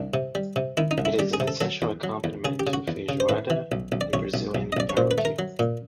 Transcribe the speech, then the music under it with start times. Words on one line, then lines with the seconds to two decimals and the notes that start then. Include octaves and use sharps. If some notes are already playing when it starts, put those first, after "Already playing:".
It is an essential accompaniment to "feijoada" and Brazilian barbecue.
Already playing: C2 D4
0.14 C3
0.35 G3
0.56 C3
0.77 D#3 E4
0.91 D#4
0.98 C2
1.05 E4
1.19 G3 G4
1.33 G#4
1.40 C3
1.48 A4
1.61 F#3 A4
1.82 E2
2.03 F#3
2.24 E2
2.45 C#3 G#4
2.60 G4
2.67 C#3
2.73 F#4
2.88 E2
3.09 C#3
3.20 C5
3.29 A2 B4
3.50 E3
3.72 B1
3.92 B1
4.01 D5
4.13 B1 C#5
4.34 B1
4.55 B1
4.72 D#5
4.77 B1 D5
4.89 C#5
4.97 A#2 C5
5.11 B4
5.18 A3
5.25 A#4
5.39 F#3
5.59 A#2